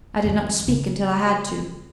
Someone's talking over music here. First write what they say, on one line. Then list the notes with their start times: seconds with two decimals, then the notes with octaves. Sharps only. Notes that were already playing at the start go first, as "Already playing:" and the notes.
I did not speak until I had to.
0.24 F2 D#3
0.67 C#3 A#3